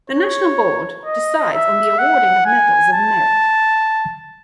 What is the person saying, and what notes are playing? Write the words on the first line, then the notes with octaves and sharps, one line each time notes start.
The national board decides on the awarding of medals of merit.
C#5
D#5
E5
F#5
G#5
A5